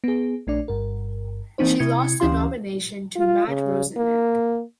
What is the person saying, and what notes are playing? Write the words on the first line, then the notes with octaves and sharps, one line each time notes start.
She lost the nomination to Matt Rosendale.
B3 G#4
A#1 A3 D4 D5
G1 G2 A#4
E3 A#3 C4 D#4 C5
C3 E4 G#6 C#7
D2 E3 C#4 G4 F5 C6
F4
C#3
A#3